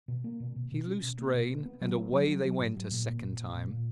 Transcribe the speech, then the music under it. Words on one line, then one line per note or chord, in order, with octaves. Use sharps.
He loosened rein, and away they went a second time.
B2
A#3
B2
B2
B2
C#4
B2
A#3
B2
B3
B3
F#3
B3
F#3
F#3
F#3
G#2
F#3
A#2
A#3
A#2
A#2
A#2
A#2